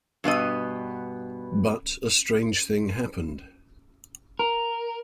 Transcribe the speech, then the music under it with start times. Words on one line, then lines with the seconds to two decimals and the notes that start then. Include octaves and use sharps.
But a strange thing happened.
0.24 G2 B2 B3 D#5
4.39 A#4